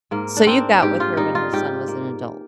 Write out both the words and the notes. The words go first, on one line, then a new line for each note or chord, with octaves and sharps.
so you got with her when her son was an adult.
G#2 A#3
D4
A#3 C4
G#2 G4
F4
G3 D#4
F4
G#2 G4
A#3